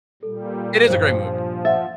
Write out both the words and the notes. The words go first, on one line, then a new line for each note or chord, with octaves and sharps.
It is a great movie.
A#2 G3 A4
G2 A#2 F3 C5
E5 F#5 A6